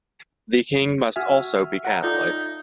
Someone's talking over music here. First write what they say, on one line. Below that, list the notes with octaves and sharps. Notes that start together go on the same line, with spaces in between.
The king must also be Catholic.
F#4 E5 G#5 F6
F#5 A#5
D#4 F4 A4 D5